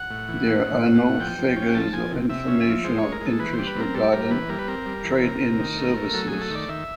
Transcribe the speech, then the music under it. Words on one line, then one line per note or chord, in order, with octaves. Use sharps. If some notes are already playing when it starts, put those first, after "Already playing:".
There are no figures or information of interest regarding trade in services.
Already playing: F#5
A2
E3
A2
A2
A2
A2
F3 G5
F3
C#4
F3 A5
F3 G#5
C3
C3 E5
C#4
F3
G#3 C5
G#3 C#5
A#4
G#3 A4
E3 B4
G3 C5
B4
C4 A#4
G3 A4
G3 A#4
E3 B4
G3 A#4
B4
C4 A#4
G3
E3
C3
C3
D#3
A3
A3
F#3 A4
G#4
A3
A4
D#3
D5
D#3 E5